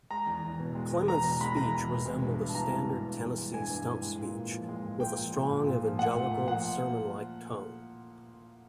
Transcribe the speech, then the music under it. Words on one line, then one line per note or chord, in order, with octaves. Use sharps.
Clement's speech resembled a standard Tennessee stump speech, with a strong evangelical, sermon-like tone.
G#3 A#5
E2
E2
B2
G#3
E2
E2 A#5
B2 A#5
G#3 B5
E2 A#5
E2
B2
G#3
G2
G2
A5
E3 A#5
G#3
G2
G2
E3
G#3
G2 G#5
G2
E3
G#3
A#2
A#2
F3
G#3
A#2
A#2 G5
F3
G#3
A#2
A#2
F3
A3 F#5
A#2
A#2
F3 F#5